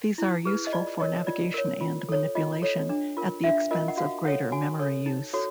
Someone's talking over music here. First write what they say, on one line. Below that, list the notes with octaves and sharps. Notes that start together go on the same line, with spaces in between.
These are useful for navigation and manipulation, at the expense of greater memory use.
E4
G#4 B4
D#5
F4 D5
A#4 C#5 D#5
F4 D5
A#4 C#5
F4
A4 C#5
F4 D#5
A4 C#5
D4
F4 A#4
D4 E5
F4 A#4 D#5
F#5
F#4 F5
A4 C#5 F#5
F#4 G#5
A4 C#5
D#4
F#4 A4 C#5